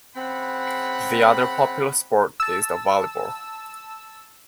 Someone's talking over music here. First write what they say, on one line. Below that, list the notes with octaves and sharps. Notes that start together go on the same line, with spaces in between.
The other popular sport is the volleyball.
C#3 C4 F#5 B5
A5 E6